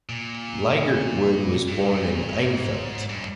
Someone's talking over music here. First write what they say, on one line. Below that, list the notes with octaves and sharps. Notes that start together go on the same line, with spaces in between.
Leigertwood was born in Enfield.
A#2
G2
A#2
G2
G#2
G2